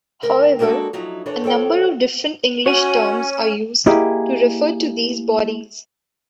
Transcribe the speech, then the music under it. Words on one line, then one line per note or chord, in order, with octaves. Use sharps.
However, a number of different English terms are used to refer to these bodies.
D2 A#4
G#3 A#3 D4 F#4 A4
F3 F#3 D#4 E4
E3 D4 A4 C#5
F3 A4 C#5 G5
C#4 F#4 C#5 G#5
A#3 E4 G4 G#4 D#5